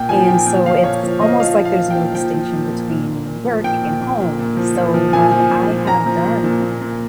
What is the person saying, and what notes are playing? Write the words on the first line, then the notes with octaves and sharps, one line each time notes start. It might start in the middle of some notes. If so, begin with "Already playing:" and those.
and, so it's almost like there's no distinction between work and home, so what I have done
Already playing: A#2 G5
F3 G#5
A#2 G5
A#2 G5
F3 F5
A#2 C#5
F3
F3 D#5
F3 F5
A#2
F5
A#2
G5
A#2
F3 G5
F3
A#2
A#2
A#2
A#2
A#2
F3
A#2 G5
A#2
A#2
A#2
A#2
F3
A#2
F3
A#2 G#5
F3
A#2
A#2
A#2 A#5
F3
A#2
A#2
A#2
A#2